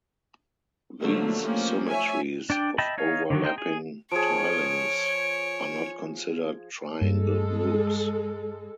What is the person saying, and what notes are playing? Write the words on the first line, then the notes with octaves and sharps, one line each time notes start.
These symmetries of overlapping tilings are not considered triangle groups.
D3 F3 F#3 A3 A#3
F3 A3 A#3 C#4 G4
C#5 E5 G#5
D4 D5 G5
D#5 E5 G5 A5 B5
D#4 C#5 F5
D3 D#3 F#3
D#4 C5 G5
G#4
F3 G#4 C#5 D7
G2 G#3 A4